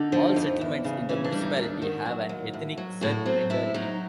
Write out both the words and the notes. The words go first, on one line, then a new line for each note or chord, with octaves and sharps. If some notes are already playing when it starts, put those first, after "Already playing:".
All settlements in the municipality have an ethnic Serb majority.
Already playing: D3 D#4
F3
F2
E2
C#3
E3 C#4
D4
G3
D#4
D#2 D4
D#3 F#4
F#3
D#2
A2
F#3
A2 F#4
F#3 C4
A2 E4
F#3 D#4